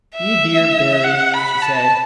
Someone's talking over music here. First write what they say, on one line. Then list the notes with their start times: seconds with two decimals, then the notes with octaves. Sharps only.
"You dear Billy," she said.
0.16 E5
1.04 F#5
1.34 B5
1.62 A5